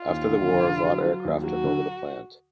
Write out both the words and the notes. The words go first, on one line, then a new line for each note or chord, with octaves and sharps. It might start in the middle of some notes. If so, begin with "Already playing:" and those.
After the war, Vought Aircraft took over the plant.
Already playing: F4
D#2
D3
F1
D3
F#3
F#3
D#2
F#3 F#4
D3